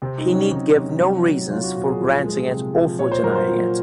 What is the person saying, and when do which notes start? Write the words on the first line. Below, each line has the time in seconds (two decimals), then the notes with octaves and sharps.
He need give no reasons for granting it or for denying it.
0.02 C3 C4
0.18 D#4
0.27 F#3
0.35 C#4
0.51 C3 D#4
0.76 C3
1.01 F#3
1.26 F#3
1.50 F#3 F4
1.63 F#4
1.75 A#2 F#4
1.88 G#4
2.00 F3
2.24 G#3
2.49 C3
2.74 F3
2.98 A#2 C#5
3.12 C5
3.23 F#3 A#4
3.35 C5
3.48 A#2